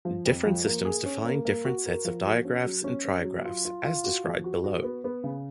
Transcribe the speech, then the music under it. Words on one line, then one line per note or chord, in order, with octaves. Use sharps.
Different systems define different sets of digraphs and trigraphs, as described below.
F3
F2
F3
A#3
G#4
C#4
A#3
A#3
F#4
A#4
F3
F#4
C#4
F#3
C#4
C#4
F#3
F4
F4
F4
F#4
F3
F#4
F#4
B3
B3
C#3